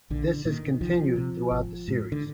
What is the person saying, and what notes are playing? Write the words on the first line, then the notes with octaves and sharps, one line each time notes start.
This is continued throughout the series.
A#1 D3
A#2 D#3
C2 F3
C3
G#1
G#2
D3